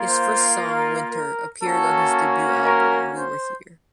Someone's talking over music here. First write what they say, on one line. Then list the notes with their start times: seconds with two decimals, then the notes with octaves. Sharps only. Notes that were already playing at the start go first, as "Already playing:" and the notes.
His first song, "Winter", appeared on his debut album "We Were Here".
Already playing: A#3 F4
0.08 C5
0.60 A#4
1.11 A#4
1.63 A#3 C#4 F#4 A4
2.66 A#4
3.17 C5